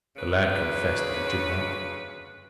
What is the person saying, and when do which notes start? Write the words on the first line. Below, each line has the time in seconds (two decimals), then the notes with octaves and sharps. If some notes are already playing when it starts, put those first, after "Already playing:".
The lad confessed that he did not.
0.16 D2 C#3 B4